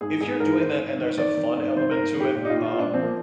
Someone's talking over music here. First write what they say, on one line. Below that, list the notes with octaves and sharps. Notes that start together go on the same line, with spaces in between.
if you're doing that and there's a fun element to it, um,
G#2 G#4
G#2 G#4
G#2 A#4
G#2 C5
G#2
D#3
D#3 D5
D#3
G#2
D#3 C5
A#4
G#2
D#3 G4
A#2 G4
D#4
F4
A#2
F4
A#2 D4
F3 C4
A#3